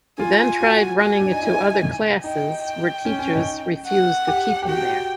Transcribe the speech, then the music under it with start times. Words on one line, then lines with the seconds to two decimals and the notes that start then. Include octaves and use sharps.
He then tried running into other classes were teachers refused to keep him there.
0.20 F4 G#5
0.61 F#4
1.01 G#5
1.20 D4
1.32 D#4
1.42 E4
2.24 D#4 G5
2.65 G5
3.05 C#4
3.19 C#4
3.33 D#4
3.87 F#5
4.28 G4
4.62 G4
4.68 F#4 G5